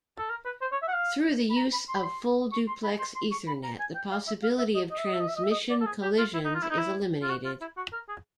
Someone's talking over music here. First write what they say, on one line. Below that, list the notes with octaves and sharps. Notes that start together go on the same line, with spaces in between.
Through the use of full-duplex Ethernet, the possibility of transmission collisions is eliminated.
A4
A#4
B4
C5
C#5
E5
F#5
F5
B5
A#5
B5
C6
B5
C6
C#6
C6
B5
C6
C6
C#6
B5
A#5
G#5
G5
F5
E5
F5
E5
D#5
D#5
E5
D#5
E5
D#5
E5
D#5
E5
D#5
D5
A4
G#4
G4
F4
E4
D#4
F4
E4
D#4
E4
F4
F#4
F4
E4
F#4
A#4
G#4